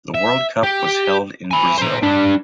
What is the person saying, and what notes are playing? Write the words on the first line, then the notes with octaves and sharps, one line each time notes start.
The world cup was held in Brazil.
E5
G4
G#5 B5
C5 A#5
G3 D4